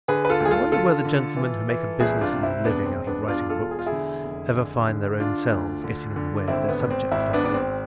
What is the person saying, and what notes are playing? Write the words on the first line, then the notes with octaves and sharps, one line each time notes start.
I wonder whether the gentlemen who make a business and a living out of writing books, ever find their own selves getting in the way of their subjects, like me?
D3 G#4 B4
B4
F4 A4
D2
G#4
F4 A4
D3 F4 A4
D3
E3
E3
C2 E4 G#4
D4 F4
C3
C4 E4
E1 B3 D4
C4
E1
B3 D4
E1 D4 F4
F4 A4
E1
G#4
F4
E4 G#4
D3
F1
D3
D3
D3 D4 F4
D2
D3
D3
G#1 C4 E4
B3
G#1
C4
G#1 C4 E4
B3 D4
G#1 D4
C4